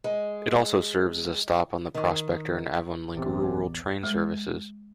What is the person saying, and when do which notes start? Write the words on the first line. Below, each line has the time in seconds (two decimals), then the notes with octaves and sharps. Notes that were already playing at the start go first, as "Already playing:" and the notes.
It also serves as a stop on the Prospector and Avonlink rural train services.
0.04 G#3
1.94 D#3
3.16 A1 E2 C3 D5
4.03 G#3